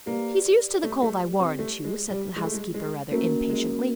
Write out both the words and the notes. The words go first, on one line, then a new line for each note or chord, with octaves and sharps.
"He's used to the cold, I warrant you," said the housekeeper rather impatiently.
A#3 G4 B4 D5
A3
A3
C4
A3
G#3
G3
G#3
A3
G#3
G#3
A3 A#3 C#4 F#4 A#4
G#3